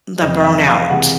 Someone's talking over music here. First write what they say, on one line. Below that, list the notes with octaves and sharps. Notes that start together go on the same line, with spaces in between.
the burnout
F1 F2 C#3 E3 D#5
E5
F5
C#2 C3 E3 G#3 F#5